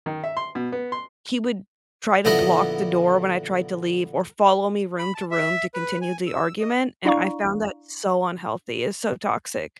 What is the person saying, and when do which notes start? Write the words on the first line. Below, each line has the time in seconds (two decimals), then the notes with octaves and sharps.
he would try to block the door when I tried to leave, or follow me room to room to continue the argument, and I found that so unhealthy, it's so toxic.
0.06 D#3
0.24 E5
0.37 C6
0.55 B2
0.72 B3
0.92 C6
2.25 A#1 D3 B3 E4 A4 D#5
4.99 B5
5.15 A5
5.31 E5
5.74 B4
6.01 G#5
6.27 E6
6.60 D#5
7.05 D4 E4 D5 F5 A#5 C#6